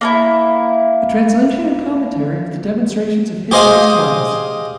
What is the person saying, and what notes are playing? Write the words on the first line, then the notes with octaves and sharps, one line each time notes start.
A Translation and Commentary of the Demonstrations of Histories, trans.
A#3 D4 E4
G4 G#4 C5 D#5 F5 G#5